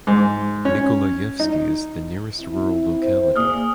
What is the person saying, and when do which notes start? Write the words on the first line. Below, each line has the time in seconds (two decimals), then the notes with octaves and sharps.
Nikolayevsky is the nearest rural locality.
0.07 G#2
0.65 C#4
1.40 D#4
2.39 C4 E4
3.02 C5
3.36 A#3 G#4 D5 D#6 F6